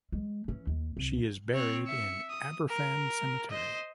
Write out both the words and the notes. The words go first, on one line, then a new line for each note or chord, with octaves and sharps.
She is buried in Aberfan cemetery.
G#3
E3 C#4
D#2
C2
C4 C#5
E5 C#7
D#6
A#4
C5 D#5